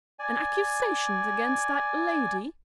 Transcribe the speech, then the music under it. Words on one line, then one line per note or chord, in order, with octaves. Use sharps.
An accusation against that lady?
D5 G#5